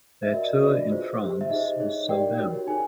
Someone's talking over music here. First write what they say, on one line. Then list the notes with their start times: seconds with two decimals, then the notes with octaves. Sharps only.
Their tour in France was sold out.
0.23 E5
0.33 F#4 A#4 D5 D#5
0.62 D4 F#4 B4 D5
0.92 F4 G#4 C5
1.21 G4 C5
1.41 E5
1.50 D#4 G#4 C5 D#5
1.80 D#4 G#4 C#5
2.08 D#4 G4 A#4 D5 G5
2.38 F#4 A#4 C#5
2.67 D#4 G#4 C#5 G#5